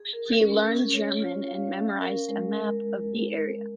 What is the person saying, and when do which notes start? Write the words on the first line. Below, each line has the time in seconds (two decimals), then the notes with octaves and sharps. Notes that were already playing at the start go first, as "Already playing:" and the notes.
He learned German and memorised a map of the area.
Already playing: G#4
0.13 A#4
0.40 C#4
0.66 C#4
0.94 C#5
1.20 F4
1.47 F5
1.74 C#4
2.01 A#4
2.29 G#3
2.56 A#4